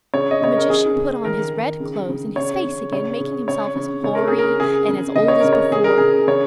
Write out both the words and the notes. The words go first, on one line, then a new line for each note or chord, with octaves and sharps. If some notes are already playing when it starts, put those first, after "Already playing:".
The magician put on his red clothes and his face again, making himself as hoary and as old as before.
C#3 C#5
D#5
C#3 C#5
A#4
C#3 G#4
C#3
D#3 A#4
D#3
C#3
C#3
C#3 C#5
C#3
C#3 C#5
C#3
C#3 C#5
C#3
C#3 C#5
A#4
C#3 G#4
A#4
C#3 G#4
C#3
C#3 D#5
C#5
C#3 A#4
C#5
C#3 G#4
A#4
C#3 G#4
C#3 C#5